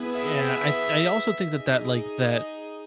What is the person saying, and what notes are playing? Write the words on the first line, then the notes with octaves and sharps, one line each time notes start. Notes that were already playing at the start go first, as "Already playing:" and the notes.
Yeah, I th I also think that, like, that,
Already playing: B3 E4 G#4 B4
E5
D#4 G#4 D#5